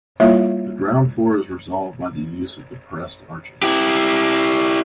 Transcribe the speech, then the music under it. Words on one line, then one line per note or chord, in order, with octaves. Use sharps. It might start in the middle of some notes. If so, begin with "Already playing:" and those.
The ground floor is resolved by the use of depressed arches.
G3 A#3 E4 F4 C#5 E5
E4 G4